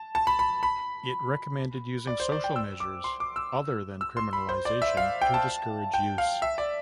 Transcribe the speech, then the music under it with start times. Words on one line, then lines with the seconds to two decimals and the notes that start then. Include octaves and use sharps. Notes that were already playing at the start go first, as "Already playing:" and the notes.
It recommended using social measures other than criminalisation to discourage use.
Already playing: A5
0.15 A5
0.27 B5
0.39 B5
0.63 B5
2.07 D5
2.20 C5
2.32 D5
2.44 G5
2.56 E6
2.80 D6
3.04 C6
3.20 D6
3.36 E6
4.01 E6
4.17 C6
4.33 B5
4.49 C5
4.65 D5
4.82 E5
4.97 F5
5.22 G5
5.34 A5
5.94 G5
6.18 F5
6.42 E5
6.58 D5